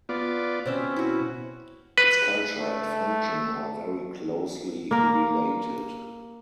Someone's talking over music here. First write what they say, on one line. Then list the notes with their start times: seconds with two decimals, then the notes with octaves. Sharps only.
Its culture and function are very closely related.
0.09 B3 F4 D5
0.66 B2 C4 C#4 E5
0.96 E4 F#4
1.98 B4
2.60 A3
4.91 A#3 A#4